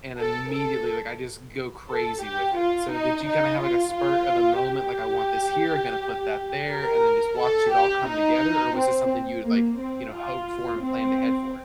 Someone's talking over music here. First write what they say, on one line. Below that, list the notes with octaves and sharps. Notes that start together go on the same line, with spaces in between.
and immediately, like, I just go crazy with it. So did you kinda have like a spur of the moment, like, "I want this here, I'm gonna put that there," and then just watch it all come together, or was this something you would like, you know, hope for and planned head for?
A4
A4
A4
G4
F4
D#4
D#4
F4
F4
G4
A#4
A4
G4
D#4
C4
A#3
C4
F4
C4